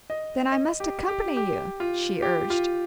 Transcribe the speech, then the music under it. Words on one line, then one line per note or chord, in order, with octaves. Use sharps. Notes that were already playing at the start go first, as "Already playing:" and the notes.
"Then I must accompany you," she urged.
D#5
D#5
G4
G4
G4
F4
G4
F4